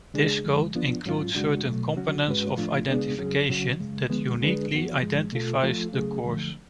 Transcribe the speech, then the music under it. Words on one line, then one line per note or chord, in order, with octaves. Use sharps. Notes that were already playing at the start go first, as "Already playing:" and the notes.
This code includes certain components of identification that uniquely identifies the course.
C#3 G#3 D4 G#4
F2 D3 F3 G#3
F#2 F3 B3 D4 F4
G#2 F#3 C#4 F4
F#2 C#3 G#3 D4 F#4
B2 F#3 A3
C#3 F#3 C#4 F#4
G#2 G#3 C#4 F#4 B4
A2 F3 A3 D4 F4
C#3 G#3 B3 D4 G#4
F2 C#3 F#3 C#4 G#4
C#3 F#3 C#4 F#4
F#2 C#3 G#3
D3 F3 G#3 B3
D3 G#3 D4 G#4 B4
F#2 F3 B3 F#4
G#2 F3 G#3
B2 A3 F4 A4
F3 A3 F4 A4
C#3 F#3 A3 C#4 G#4
F#2 D3 F3 A3